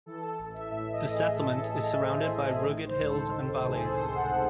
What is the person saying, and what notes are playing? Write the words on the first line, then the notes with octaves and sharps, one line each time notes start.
The settlement is surrounded by rugged hills and valleys.
E3 A4
A4
A1 A4
E5
A2 E5
D#5
E3
G#4
A2 A4
A4
A2 A4
A4
A2 C5
G#4
A1
G#4
D#3
C5
C#2
A4
D#3
C3
G#4
A4
D#3 C5
F#5
C3